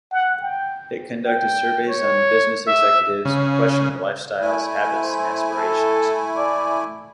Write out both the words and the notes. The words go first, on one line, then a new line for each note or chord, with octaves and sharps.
It conducted surveys on business executives and questioned their lifestyles, habits and aspirations.
F#5
G5
G5
C#5
E5
C#3
A3 E4 G#5
C5
A4
D5